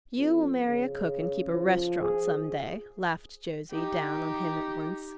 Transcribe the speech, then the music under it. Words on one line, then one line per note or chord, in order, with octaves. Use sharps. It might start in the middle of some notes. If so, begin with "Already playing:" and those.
You will marry a cook and keep a restaurant some day,' laughed Josie, down on him at once.
F2
C#3
F3
G#4
D#4 G4